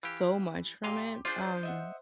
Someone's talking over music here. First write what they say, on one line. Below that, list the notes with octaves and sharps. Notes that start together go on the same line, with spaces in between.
so much from it, um,
E3 G4 F5
A#2 G4 D#5 F5 C6
D4 F4 G#4 C5 D5
D#5 E5 F#5